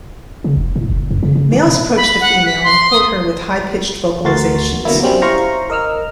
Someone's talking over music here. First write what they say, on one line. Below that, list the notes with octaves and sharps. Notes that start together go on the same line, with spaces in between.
Males approach the female and court her with high pitched vocalizations.
C#3
F1
A2
F#1
F#2
C#3
C#3
D#3
A#2
B5
F#5
B6
C6
D#6
D2 A3 F#4 A#4 C6 A6
B2 D3 F#3 A#3 E4
F#3 G3 C4 C#4
E4 C5 F5 A#5 C6 C#6
A#4 D#5 E6 F6